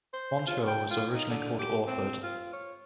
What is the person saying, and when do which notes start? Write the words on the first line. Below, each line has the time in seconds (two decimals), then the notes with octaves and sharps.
Montour was originally called Orford.
0.14 C5
0.47 F4
0.68 G5
0.91 F4
1.13 D#4
1.30 D3
1.59 G4
1.87 C4
2.23 F4
2.53 C#5